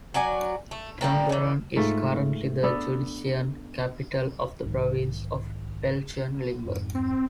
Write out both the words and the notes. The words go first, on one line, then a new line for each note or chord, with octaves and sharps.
Tongeren is currently the judicial capital of the province of Belgian Limburg.
F#3 F#4 D5 G#5
A3
A2 G3 A#3
D#3 E3
G#2 A3 F4
B3 D4 A4
B1 G#2 D#3
F2 G#2
C4